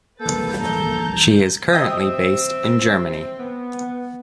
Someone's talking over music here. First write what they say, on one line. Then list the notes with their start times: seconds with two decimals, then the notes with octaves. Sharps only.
She is currently based in Germany.
0.20 A#3 A4 B4 G6 A6
0.59 A4 A5 A#5 G6
1.73 C4 D#5 E5 G5 D#6
3.40 B3